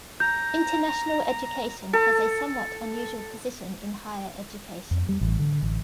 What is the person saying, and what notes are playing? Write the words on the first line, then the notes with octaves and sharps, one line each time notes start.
International education has a somewhat unusual position in higher education.
A#5 G6
A4
F2
G3
A1
D3
A1